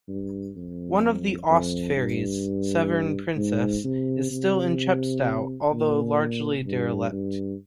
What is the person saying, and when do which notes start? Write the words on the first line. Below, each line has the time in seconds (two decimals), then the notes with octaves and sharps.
One of the Aust ferries, "Severn Princess", is still in Chepstow although largely derelict.
0.08 G2
0.56 F2
1.50 F2
1.96 G2
3.37 G#2
3.84 C3
4.31 C3
5.72 A#2
6.65 G2
7.12 G2